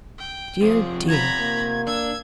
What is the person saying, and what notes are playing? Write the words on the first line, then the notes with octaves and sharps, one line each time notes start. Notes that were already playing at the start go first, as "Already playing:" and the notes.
Dear! dear!
G5
C3 F3 C4 F4 G#4
A#5 B5 G#6
A#3
D4 E6 G#6